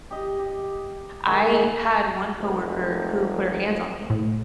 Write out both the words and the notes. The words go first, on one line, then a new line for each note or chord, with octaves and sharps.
I had one coworker who put her hands on me.
G4 D#5
G4
D#3 G#3 F#5
F1
A2